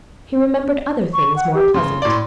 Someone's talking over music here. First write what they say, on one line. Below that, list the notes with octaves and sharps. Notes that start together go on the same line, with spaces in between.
He remembered other things more pleasant.
C#6
F#5
G4
C#3 C6
A2 D5